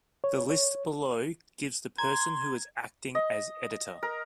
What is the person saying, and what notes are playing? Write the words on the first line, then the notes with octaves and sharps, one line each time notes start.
The list below gives the person who was acting as editor.
C#5
C#5
A#5 C6 G#6
D#5
A#4